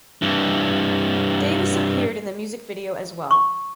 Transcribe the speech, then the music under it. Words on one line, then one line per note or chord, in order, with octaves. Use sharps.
Davis appeared in the music video as well.
G2 E3
C#6